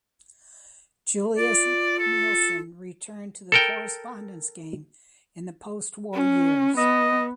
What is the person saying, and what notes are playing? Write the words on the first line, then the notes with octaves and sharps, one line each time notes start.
Julius Nielsen returned to the correspondence game in the postwar years.
F4 D5
A4
A4 A#4 G5
C#4
B3 D#5